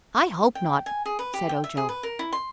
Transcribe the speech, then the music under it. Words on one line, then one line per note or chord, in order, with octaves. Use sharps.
"I hope not," said Ojo.
G5
G#5
G#4
B4
G4
G5
E5
G#4
B4
A#4
E4
C6